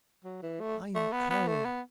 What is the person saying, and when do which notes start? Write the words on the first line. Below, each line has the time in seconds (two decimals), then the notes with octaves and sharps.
"I am cold."
0.24 F#3
0.42 E3
0.60 A3
0.95 A3
1.12 B3
1.30 B3
1.47 A3
1.65 B3